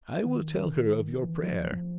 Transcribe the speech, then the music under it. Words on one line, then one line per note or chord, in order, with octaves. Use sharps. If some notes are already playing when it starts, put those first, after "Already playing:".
I will tell her of your prayer.'
D#3
E3
F3
F3